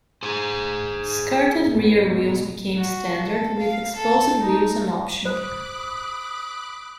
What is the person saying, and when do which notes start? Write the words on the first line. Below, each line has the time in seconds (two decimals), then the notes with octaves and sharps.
Skirted rear wheels became standard, with exposed wheels an option.
0.23 G#4 C5
1.72 A2 B3
2.03 B2 G#3
2.78 F#4
3.23 A4
3.58 F5
3.96 A4
4.40 D#4
5.25 C5 B5 D6 D#6 F#6